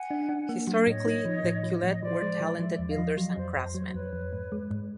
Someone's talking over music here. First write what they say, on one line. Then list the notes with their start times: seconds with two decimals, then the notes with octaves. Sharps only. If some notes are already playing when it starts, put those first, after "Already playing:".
Historically the Quileute were talented builders and craftsmen.
Already playing: F#5 G#5
0.11 D4
0.29 D4
0.49 A#3
0.67 F#3
0.87 A2 C#5 D#5
1.05 D#4
1.25 F3
1.44 A2
1.63 F3
1.83 A2
1.90 D#5
2.02 F3 C5 D5
2.22 G#3
2.40 F3
2.59 F3 D5 E5
2.79 E2
2.88 D#5 F5
2.98 F3
3.17 F#3
3.27 D#5
3.36 F2 C5 D5
3.56 F2 C5
3.74 F#3 C#5
3.85 C5
3.94 F2 B4 C#5
4.13 F2
4.33 G#2
4.52 G#3
4.71 G#2